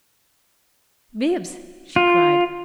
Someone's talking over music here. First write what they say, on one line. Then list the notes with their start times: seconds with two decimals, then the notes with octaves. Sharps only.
"Bibbs!" she cried.
1.96 F4